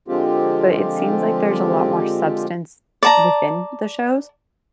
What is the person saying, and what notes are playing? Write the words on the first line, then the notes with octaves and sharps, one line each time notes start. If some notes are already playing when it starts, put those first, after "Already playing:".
but it seems like there's a lot more substance within the shows,
D3 F3 G#3 C4 F4 G4
D5 A5 A#5